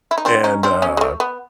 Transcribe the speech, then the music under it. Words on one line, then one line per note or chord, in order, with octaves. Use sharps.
And, uh,
E4
D#4
C4 D4
C#4 D#4
C4 D4
B3 C#4
G#3
A3
B3